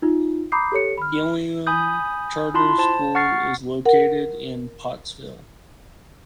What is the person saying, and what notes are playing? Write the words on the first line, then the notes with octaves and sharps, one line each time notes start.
Gillingham Charter School is located in Pottsville.
D#4 F4
A#5 B5 D6 D#6 G6 C7
G4 A4 C#5 C#7
B5 F6
G#5 B5 D#6 G6
E4 F4 A5 B5 C6
C5 A5
F#5 C#6 F6 A6 C7
A#4 F#5